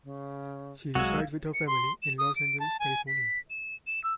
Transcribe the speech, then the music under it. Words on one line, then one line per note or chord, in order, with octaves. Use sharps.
She resides with her family in Los Angeles, California.
C#3
C2 F#3 G#3 F#4 F5 E6 G#6
C#7
C6
E7
D#6
D7
A5
G#5
B6
E7
E7
E6